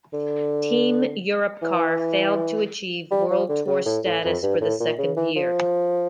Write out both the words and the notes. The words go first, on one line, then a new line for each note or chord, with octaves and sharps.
Team Europcar failed to achieve World Tour status for the second year.
D3
E3
G3
F3
D3
C#3
A2
A2
F2
G2
A2
A#2
C#3
E3
F3